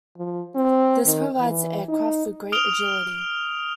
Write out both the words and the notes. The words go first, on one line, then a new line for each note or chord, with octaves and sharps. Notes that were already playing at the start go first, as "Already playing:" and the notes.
This provides the aircraft with great agility.
F3
C4
D#3
E3
D#4
D#6 F6 D7 F7 G7